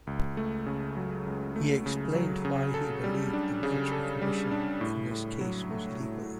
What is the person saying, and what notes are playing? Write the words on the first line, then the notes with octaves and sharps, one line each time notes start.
He explained why he believed the military commission in this case was legal.
C#2
A3
C#3
F#3
C#2
A3
C#3
F#3
C#3
A4
G3
D4
C#3
A4
G3
D4
A2
A2
F#3
A3
A2